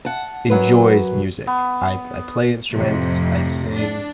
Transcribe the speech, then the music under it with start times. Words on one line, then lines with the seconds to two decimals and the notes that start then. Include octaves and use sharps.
enjoys music." I I play instruments, I sing
0.05 F#5 A5
0.50 F#2 F#3 B4
1.47 B3
2.71 F2 A2 C3
3.73 D4